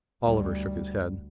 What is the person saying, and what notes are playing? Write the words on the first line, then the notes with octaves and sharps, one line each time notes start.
Oliver shook his head.
D2 G3